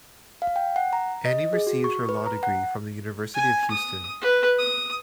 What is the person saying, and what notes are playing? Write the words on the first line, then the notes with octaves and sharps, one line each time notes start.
Annie received her law degree from the University of Houston.
F5
G5
F#5
A#5
D#5
G#4
F#4
C#6
B4
A#5
F#5
G#5
D#6
B4
D#6